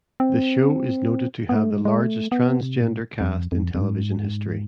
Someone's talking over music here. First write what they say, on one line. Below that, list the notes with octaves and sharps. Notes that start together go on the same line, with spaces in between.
The show is noted to have the largest transgender cast in television history.
C4
B3
A3
G#3
G#3
A3
B3
C3
A2
F2
F2
F2
G#2